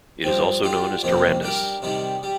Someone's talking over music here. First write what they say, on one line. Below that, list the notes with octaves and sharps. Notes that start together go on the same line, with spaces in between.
It is also known as Tarandus.
G2 F3 C4
D3 G3 D4 F4
F2 C3 D#3 A#3
G3 D4 G4 A#4
C3 D#3 G3
G3